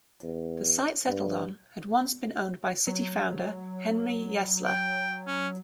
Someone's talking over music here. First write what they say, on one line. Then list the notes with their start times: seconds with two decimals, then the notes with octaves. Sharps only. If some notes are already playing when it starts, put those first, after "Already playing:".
The site settled on had once been owned by city founder Henry Yesler.
0.23 E2
1.07 G2
2.87 F#3
4.66 G5
5.27 C#4